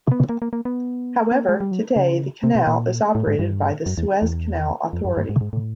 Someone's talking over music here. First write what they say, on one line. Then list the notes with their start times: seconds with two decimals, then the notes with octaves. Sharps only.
However, today the canal is operated by the Suez Canal Authority.
0.11 B3
0.29 A#3
0.42 A#3
0.53 A#3
0.65 B3
1.32 B3
1.36 A#3
1.49 G#3
1.61 G3
1.72 F#3
1.96 C#3
2.44 C3
2.55 B2
2.67 A#2
3.15 A2
3.27 G#2
3.39 G2
3.86 F#2
3.98 E2
4.22 E2
4.93 F2
5.05 F#2
5.17 G2
5.29 G#2
5.41 G#2
5.53 A2